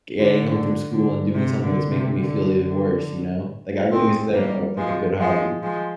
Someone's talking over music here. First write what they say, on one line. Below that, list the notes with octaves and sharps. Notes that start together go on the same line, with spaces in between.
getting home from school and doing something that's making me feel even worse," you know? Like, I wouldn't consider that, uh, like, a good hobby.
D3
D3
D3
C3
D3
C3
D3
D3
G#3 C4
G3 A#3
F3 G#3
F3 G#3
F3 G#3